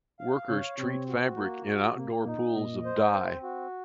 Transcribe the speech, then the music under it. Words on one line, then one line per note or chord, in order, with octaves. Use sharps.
Workers treat fabric in outdoor pools of dye.
F5
C#3 C#5
C3 C4
F#4
A#3
F#4
C3 A#3
A#2 D#4
A#2 D#5
C5
C4
F#4